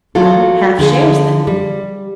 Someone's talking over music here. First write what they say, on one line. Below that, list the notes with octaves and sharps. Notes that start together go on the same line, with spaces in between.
"Well, half shares then."
F#3 F4 A4
D3 F3 G#4 A4
G3